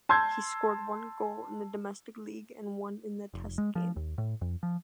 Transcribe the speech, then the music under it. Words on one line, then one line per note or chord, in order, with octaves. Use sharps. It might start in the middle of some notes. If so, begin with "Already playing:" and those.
He scored one goal in the domestic league and one in the test game.
A5 C6 E6 G6 G#6
F1
G#3
F3
D#2
A2
F2
F3